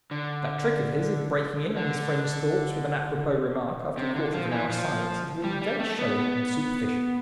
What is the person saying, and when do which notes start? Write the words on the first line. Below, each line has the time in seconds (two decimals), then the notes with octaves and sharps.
That trick of his of breaking in on his friends' thoughts with an apropos remark after a quarter of an hour's silence is really very showy and superficial.
0.11 D3
1.77 D3
3.97 C3
4.15 D3
4.34 F3
4.51 E3
4.70 F3
5.44 G3
5.62 G3
5.80 A3
5.99 B3